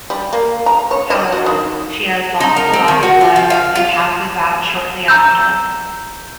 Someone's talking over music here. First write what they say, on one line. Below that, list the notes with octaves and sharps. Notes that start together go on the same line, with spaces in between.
However, she has lost a lot of blood and passes out shortly after.
G3
A#3
A#5
C#5
D#5
F#4
D#3
D#4
A#4
C4
D#3
F#4
F4
F3
F5
F4
A#5 E6 G6